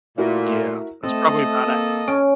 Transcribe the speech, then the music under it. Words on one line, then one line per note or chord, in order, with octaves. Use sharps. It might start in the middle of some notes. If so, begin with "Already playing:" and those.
Yeah. That's probably about ac
A#2 A3 E4 F#4 A#4
A3 C4 A4 D#5
A#3
C#4 D7